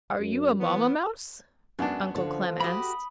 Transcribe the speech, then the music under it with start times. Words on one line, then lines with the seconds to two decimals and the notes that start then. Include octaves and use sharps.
"Are you a Mamma mouse?" Uncle Clem asked.
0.20 F#2
0.60 E3 B3
1.79 F#2 G#3 B3 D4
2.16 D3 F3
2.60 F#4 G4 B5 D#6